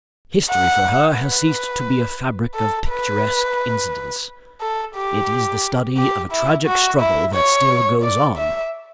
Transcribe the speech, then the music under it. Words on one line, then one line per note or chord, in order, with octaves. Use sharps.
History, for her, has ceased to be a fabric of picturesque incidents; it is the study of a tragic struggle that still goes on.
F#5
B4
A4
B4
A4
G4
G4
E4
F#4
E4
C#5
D5
E5